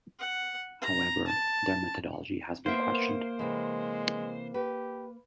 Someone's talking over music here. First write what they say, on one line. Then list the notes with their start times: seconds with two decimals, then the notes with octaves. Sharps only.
However, their methodology has been questioned.
0.19 F#5
0.81 A#5
1.28 A5
2.66 A#3 B3 A#4 C5 E5
3.39 C3 E3 G#3
4.54 G4 B4